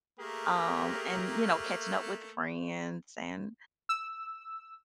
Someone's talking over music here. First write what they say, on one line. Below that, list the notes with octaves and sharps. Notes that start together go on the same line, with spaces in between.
Um, and, you know, catching up with friends and,
A3 A#3 G4 G#4 A#4
E6